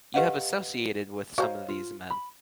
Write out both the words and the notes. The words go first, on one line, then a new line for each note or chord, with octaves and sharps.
You have associated with some of these men.
G4 B4 D#5 F5 F#5
F#4 C5 C#5 D#5 F5 A#5
F4
B5